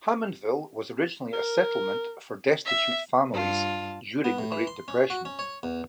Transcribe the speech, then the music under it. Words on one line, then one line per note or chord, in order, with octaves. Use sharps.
Hammondville was originally a settlement for destitute families during the Great Depression.
A#4
E5
G2 F4 A5
B3
A2
E3
C6
C#4
F#4
C#4
C#5
E2